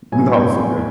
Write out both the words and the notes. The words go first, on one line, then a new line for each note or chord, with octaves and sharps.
No, it's okay.
A2 F#3 B3 E4 G#5
G5
G#5